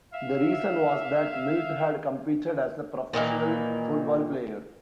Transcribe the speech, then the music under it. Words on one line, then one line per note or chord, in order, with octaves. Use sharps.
The reason was that Milt had competed as a professional football player.
E5 F5
A#2 D#3 E3 A#3